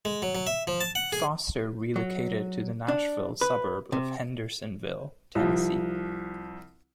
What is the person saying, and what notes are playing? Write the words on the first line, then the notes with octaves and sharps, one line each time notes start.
Foster relocated to the Nashville suburb of Hendersonville, Tennessee.
G#3
F#3
F#3
E5
F3
A5
F#5
G#4
F#3
D4
B4
C3
C2 F3